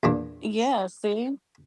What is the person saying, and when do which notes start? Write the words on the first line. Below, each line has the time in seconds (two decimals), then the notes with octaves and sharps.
Yeah, see.
0.03 E2 A#2 D4